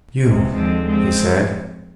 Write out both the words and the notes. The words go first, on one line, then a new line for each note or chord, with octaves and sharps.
"You?" he said.
C2 C3 E3 G#3
D#2 D3 F3 G#3 C4
F3 G#3 C4